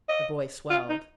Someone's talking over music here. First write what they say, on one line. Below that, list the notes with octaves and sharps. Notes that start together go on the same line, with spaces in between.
The boy swelled.
D#5
F4
D#4